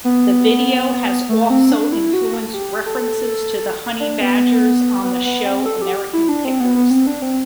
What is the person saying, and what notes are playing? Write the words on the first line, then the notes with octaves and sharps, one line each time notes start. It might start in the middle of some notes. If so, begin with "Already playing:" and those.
The video has also influenced references to honey badgers on the show "American Pickers".
B3
A3
C4
D4
E4
F#4
A4
G4
A4
D4
B3
B3
B3
C4
A4
G4
E4
D4
C4
B3
B3
C4
D4
C4